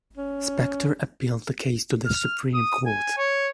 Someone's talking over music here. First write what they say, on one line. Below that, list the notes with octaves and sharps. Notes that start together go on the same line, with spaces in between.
Spector appealed the case to the Supreme Court.
C#4
F6
D#6
G#5
C#5